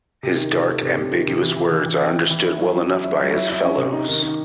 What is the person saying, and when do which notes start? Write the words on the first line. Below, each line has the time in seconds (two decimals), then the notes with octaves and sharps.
His dark ambiguous words are understood well enough by his fellows.
0.23 C3
0.38 D#3
0.52 C3
0.68 A3
0.82 C3
0.97 C3
1.11 D#3
1.27 C3
1.42 E3
1.56 E3
1.72 E3
1.85 E3
2.00 C4
2.16 E3
2.31 E3
2.46 E4
2.60 F#3
2.75 C#4
2.90 F#3
3.04 E4
3.20 F#3
3.34 E4
3.49 E4
3.63 C#4
3.78 C3
3.93 D#4
4.08 D#3
4.22 D#3